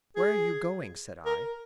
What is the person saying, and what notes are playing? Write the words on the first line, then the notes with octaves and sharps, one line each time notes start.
"Where are you going?" said I.
G#4
A#4